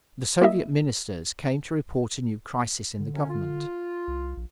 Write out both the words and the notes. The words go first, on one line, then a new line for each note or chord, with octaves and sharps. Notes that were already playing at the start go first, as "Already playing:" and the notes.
The Soviet ministers came to report a new crisis in the government.
A#3 E4 D#5 E5
D3
F#2 C3 C#4
F4
C2
A#1